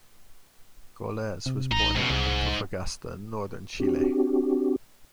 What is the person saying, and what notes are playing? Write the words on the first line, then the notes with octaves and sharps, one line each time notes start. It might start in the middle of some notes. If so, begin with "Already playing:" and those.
Goles was born in Antofagasta, northern Chile.
C3
A1 D#4 A#5
C#2 B2
C2 G#2
C4 D4 F#4 G4